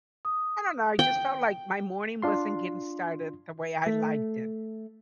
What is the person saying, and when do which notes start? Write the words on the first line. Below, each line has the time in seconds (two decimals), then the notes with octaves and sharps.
I don't know, I just felt like my morning wasn't getting started the way I liked it.
0.25 D#6
0.99 G5
2.22 D4 F4 C6
3.86 A3